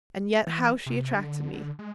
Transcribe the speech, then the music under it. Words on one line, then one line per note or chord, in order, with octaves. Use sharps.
And yet how she attracted me!
E3
C3
D3
D3
G#3